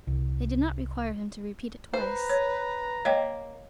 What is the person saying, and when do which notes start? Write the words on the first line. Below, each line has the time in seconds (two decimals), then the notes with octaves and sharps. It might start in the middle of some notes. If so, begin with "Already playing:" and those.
They did not require him to repeat it twice.
0.07 C2
1.94 B4 C5 A#5
2.30 C#5
3.05 A#3 C#5 D#5 G5